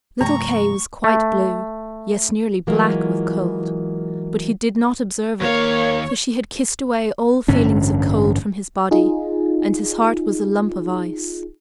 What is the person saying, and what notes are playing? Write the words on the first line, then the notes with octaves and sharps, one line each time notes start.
Little Kay was quite blue, yes nearly black with cold; but he did not observe it, for she had kissed away all feeling of cold from his body, and his heart was a lump of ice.
G2 C3 F3 A3 A#5 C#6
A3
E3 F#3 G#3 A#3 F4
D#2 A#3 C#5 F5
A1 G2 D3 C#4
D#4 F4 G#4